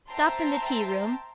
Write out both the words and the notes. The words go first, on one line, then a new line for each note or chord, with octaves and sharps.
'Stop in the tea-room.
C5 E5 G5 A5 A#5 C6